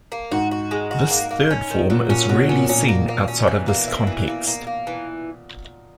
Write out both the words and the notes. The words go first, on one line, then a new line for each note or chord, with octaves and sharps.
This third form is rarely seen outside of this context.
A#3
G#2 F#4
F#4
G#3
F#4
A#3
A#3
C#4
D#3
A#2 F#3
A#2 C#4
B2 F#3
A#2 C#4
A#2 C#4
A#3
A#3
C#4
E3
A#3
E4
E3
A#3
A#3
A#3
E3